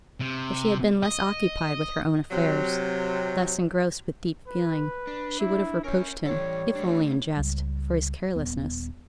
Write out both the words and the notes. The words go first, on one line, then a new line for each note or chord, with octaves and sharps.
If she had been less occupied with her own affairs, less engrossed with deep feeling, she would have reproached him, if only in jest, for his carelessness.
C3
D#5
C3 F#3
B4
D4
E4
C#4 A#4 C#5
E3 G3 A4 C#5
A3 D4
C#2 G3
D#1 B3